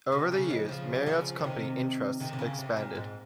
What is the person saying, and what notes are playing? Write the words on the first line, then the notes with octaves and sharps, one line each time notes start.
Over the years, Marriott's company interests expanded.
C3
C#3
F3 G#3
C#3 F3
G3
C#3 F3
F3
C3 D#3
C3 D#3
C3
C#3
C3
A#2
G#2